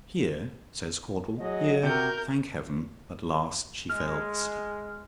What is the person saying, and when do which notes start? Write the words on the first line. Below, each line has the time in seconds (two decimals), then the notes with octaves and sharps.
"And here," says Caudle--"Here, thank Heaven! at last she fell asleep."
1.39 F#3 G#4 D#5
1.83 C3 F#4 A#4 G6
3.90 G#3 F6